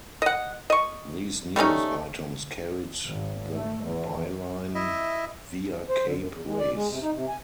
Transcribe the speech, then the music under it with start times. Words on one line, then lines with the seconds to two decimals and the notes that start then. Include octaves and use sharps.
These news items carried the byline "via Cape Race".
0.22 D#5 F#5
0.70 D#5 C#6
1.56 G3 A3 C#4 D#4
3.06 G#1
3.55 A3
3.84 E2
4.75 E4 D#5 E5
5.90 C5
6.06 D3
6.17 F#2
6.31 E2
6.46 G#3
6.59 D5
6.74 G#3
6.89 C3
7.02 D#4
7.14 C3
7.28 G#5